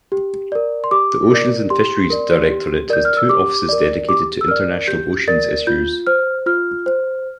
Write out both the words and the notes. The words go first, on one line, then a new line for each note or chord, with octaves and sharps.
The Oceans and Fisheries Directorate has two offices dedicated to international oceans issues.
G4
A#4 D5
C6
G4 D6
A#4 D5
G4 C6
A#4 D5
G4
A#4 D5 G6
F6
E6
G4 D6
A#4 D5
G4 D6
E6
A#4 D5 F6
G4 G6
A#4 D5 A6
F4 G6
C5 F6
F4 F6
C5